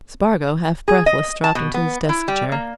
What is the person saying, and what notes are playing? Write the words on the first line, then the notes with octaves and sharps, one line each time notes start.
Spargo, half-breathless, dropped into his desk-chair.
G#4
D#5
A5
B2
B3
E4
G3
A#3